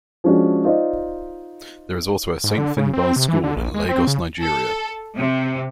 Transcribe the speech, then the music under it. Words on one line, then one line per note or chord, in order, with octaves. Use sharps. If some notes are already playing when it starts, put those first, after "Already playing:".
There is also a Saint Finbarr's school in Lagos, Nigeria.
F3 G#3 C#4 D4 F#4
D#4 F4 C5 D5 D#5
G#2
D3
C#3
C4
C3
E3
D3
A#1
G#3
C4
C#3
A4
C3